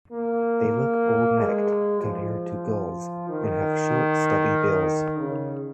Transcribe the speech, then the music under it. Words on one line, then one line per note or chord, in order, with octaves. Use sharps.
They look bull-necked compared to gulls, and have short stubby bills.
A#3
G#3
F3
D#3
C#3